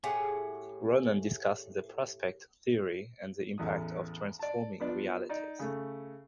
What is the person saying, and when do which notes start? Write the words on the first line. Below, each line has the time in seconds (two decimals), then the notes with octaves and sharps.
Ronen discussed the Prospect theory and the impact of transforming realities.
0.04 A2 G4 G#4 F#5
3.58 A1 E2 D#6
4.39 D5 A5
4.80 F3 B3 D4 D5
5.29 D#4 D5
5.60 C#3 A3